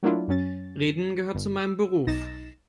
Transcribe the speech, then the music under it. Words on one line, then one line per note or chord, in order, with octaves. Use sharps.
Reden gehört zu meinem Beruf.
F#3 A3 A#3 D4 E4 F4
F#2 F#3 C#4 A6
G1
E6
B1 D#4 A6 A#6 E7